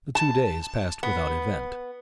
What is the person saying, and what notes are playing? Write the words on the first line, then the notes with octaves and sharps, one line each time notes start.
The two days passed without event.
A5
B3